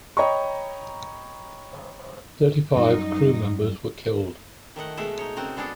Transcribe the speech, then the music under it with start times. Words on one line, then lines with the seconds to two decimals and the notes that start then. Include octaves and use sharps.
Thirty-five crew members were killed.
0.17 C#5 D#5 G5 A#5 B5 C#6
2.76 F#2 G3 D#4
4.76 D#3 A3 D#5 F#5
4.97 B2 G#3 A3 E5
5.18 D#4 C#5
5.36 C#3 C4 F#4 A#4
5.56 G#3 B3 D4 G#4 A4